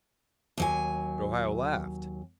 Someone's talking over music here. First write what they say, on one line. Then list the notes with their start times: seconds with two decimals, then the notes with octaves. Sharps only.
But Ohio laughed.
0.58 D#2 F#3 G#5